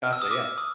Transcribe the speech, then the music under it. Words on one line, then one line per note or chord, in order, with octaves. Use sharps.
Gotcha, yeah.
F6
E6
D#6
D6
D#6